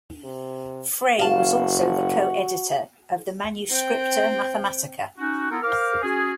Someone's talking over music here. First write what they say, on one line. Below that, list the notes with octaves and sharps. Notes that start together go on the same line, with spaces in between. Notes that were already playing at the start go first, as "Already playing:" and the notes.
Frey was also the co-editor of the "Manuscripta Mathematica".
C3
F#1 F#4 F5 A5
C4 G5
C#4 D#4 F#4
B3 E4 F4 A4 A#4
A#4 C5 F5 D6 F6
C#4 F#4 G#4